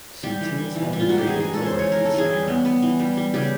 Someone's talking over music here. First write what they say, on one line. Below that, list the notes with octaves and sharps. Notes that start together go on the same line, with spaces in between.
Some teams had him rated lower than the second round.
G3 G4
E3
G3
E3
G3
F4
A#3 F#4
G4
E3 G#4
G#3 G#4
A4
C#4 C5
E3 C#5
E3 A#4
A4
E3 G#4
G3
B3
B3
E3
G3
G3
C#3 G4